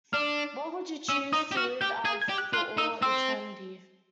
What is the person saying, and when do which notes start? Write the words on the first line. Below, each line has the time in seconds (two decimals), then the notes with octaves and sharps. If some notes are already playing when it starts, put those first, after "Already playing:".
What would you choose to live out for all eternity?
0.13 D4 F6
1.09 C#4 E6
1.33 D#4 D#6
1.52 G4
1.57 F#4 F6
1.81 G4 G6
2.05 G#4 G#6
2.22 G#6
2.29 G4
2.38 F#6
2.53 F4 F#6
2.77 D#4 E6
3.02 C4 E6